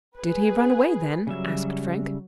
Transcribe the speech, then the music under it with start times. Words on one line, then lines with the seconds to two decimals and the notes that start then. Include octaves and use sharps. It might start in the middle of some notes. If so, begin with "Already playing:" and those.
"Did he run away then?" asked Frank.
0.18 G#4 B4
1.27 C#3 F#3 G3 E5